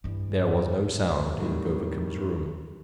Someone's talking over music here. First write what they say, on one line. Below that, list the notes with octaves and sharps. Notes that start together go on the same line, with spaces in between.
There was no sound in Govicum's room.
G2 E3
A2 C3 D#3 F#3 G3